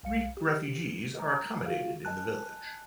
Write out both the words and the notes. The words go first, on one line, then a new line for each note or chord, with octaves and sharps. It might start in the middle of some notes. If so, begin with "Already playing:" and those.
Greek refugees are accommodated in the village.
B1 F5 C#7
G4
D#5 A#5
F4 F#4 G#4 F5
D#5 G#5 A5 F#6